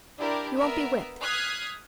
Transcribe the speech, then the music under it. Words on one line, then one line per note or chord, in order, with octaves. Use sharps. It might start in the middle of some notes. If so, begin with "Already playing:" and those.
You won't be whipped.
D4 E4 G4 A#4 D5
B3 A#4 E5
D#6 F6 F#6 G#6 B6 C7